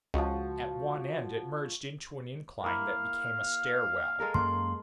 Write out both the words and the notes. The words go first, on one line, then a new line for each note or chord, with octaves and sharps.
At one end it merged into an incline that became a stairwell.
C#2 F3 F#4
A#3 E4 F5
G#3 A4 A#4
F#2 A#3 C#4 C6